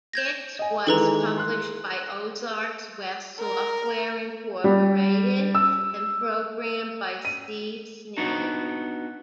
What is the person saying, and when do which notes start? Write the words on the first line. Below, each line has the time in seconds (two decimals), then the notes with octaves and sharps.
It was published by Ozarks West Software Incorporated and programmed by Steve Sneed.
0.13 G6 G#6 A#6
0.59 D#5 G#5
0.87 D#3 E3 G#3 A4 B4 A#5
1.38 C6 F#6
3.38 A#4
4.64 G3
5.55 E6
7.25 D#7
8.17 B3 D4 D#4 F#4